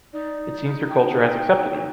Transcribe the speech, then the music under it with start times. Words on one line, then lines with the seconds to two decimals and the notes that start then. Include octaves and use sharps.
It seems your culture has accepted me.
0.13 D#4 D5
0.90 G5
1.23 G5